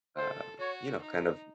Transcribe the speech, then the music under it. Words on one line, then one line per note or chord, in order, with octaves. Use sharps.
uh, you know, kind of,
A4 C5
F#4 C#5
D#4